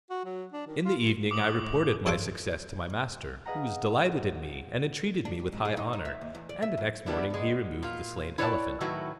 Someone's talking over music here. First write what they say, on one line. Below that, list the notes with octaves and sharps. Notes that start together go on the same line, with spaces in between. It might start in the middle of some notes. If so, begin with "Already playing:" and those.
In the evening I reported my success to my master who was delighted in me and entreated me with high honour; and next morning he removed the slain elephant.
F#4
F#3
D4
D#3
F4
A2 D6 D#6 F#7
G2 A4 C#5 A5 C6 D6
G#4 B4 D#5 F5 F#5 A#5
D4
G4
G#2
G#4
D#4
D#4
E5
D#2
E2
D5
E5
F2
G3 B3 D4 E4
G#3 B3
A#2 F4
E4 B4 C#5 D5 G5 A5
A2 D#3 F#3 E4 F#4 B4